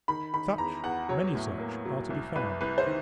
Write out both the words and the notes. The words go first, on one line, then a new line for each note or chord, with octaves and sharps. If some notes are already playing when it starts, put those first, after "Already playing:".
Such, many such, are to be found.
D#3 B5
D#3 B5
E2 A#5
E2 F#5
F#3 C#5
A2
A#3
F#3
C2
C2 B4
C2 B4
C5
D#3